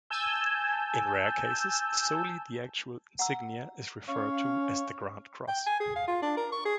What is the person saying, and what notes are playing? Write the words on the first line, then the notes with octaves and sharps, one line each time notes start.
In rare cases, solely the actual insignia is referred to as the "grand cross".
G#5 A5 E6 G6
F#5 A#5 E6
C#4 C#5 F5
G5
G#5
G#4
F5
F4
D4
A#4
C#6
G#4